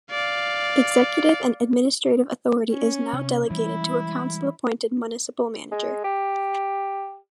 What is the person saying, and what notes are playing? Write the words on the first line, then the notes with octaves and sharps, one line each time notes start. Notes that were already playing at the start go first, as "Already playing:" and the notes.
Executive and administrative authority is now delegated to a council appointed Municipal Manager.
D5 F5
C#4
C3
E3 G3 G#3 E4
G#3
G4